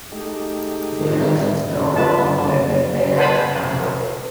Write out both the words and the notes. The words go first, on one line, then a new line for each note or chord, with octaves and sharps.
Jeunesse block on Wednesdays and Sundays.
G#3 A3 D#4 G4
F4 B4 A5
B4 C5 F#5 G#5 A5 B5